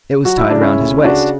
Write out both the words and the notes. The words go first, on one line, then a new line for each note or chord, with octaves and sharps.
It was tied round his waist.
F#3 F#4
E4
C#3 D4
C#4 E4
D2
C#3 D4 F#4